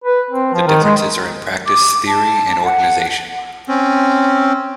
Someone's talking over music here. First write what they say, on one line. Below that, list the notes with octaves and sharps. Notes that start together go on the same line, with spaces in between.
The differences are in practice, theory and organisation.
B4
C4
F3
D#3
G#3
D6
A5
F#5
C4 C#4